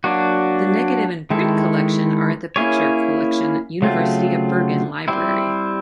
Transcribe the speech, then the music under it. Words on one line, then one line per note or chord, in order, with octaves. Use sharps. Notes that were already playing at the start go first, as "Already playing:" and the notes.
The negative and print collection are at The Picture Collection, University of Bergen Library.
F#3 A#3 D4 F#4
D#3 G#3 C4 E4 A4
A#3 C#4 E4 G#4 C#5
C#3 F#3 A3 C4 F4
G3 C4 E4